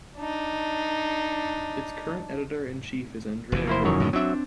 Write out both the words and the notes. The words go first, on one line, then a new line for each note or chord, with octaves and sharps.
Its current editor-in-chief is Andrea Gore.
D4 D#4
F1 E2 E3
A#3 E4 C5
F#2 D#3 C#5
A2 D3 G#3
F#3 C4 D4 E5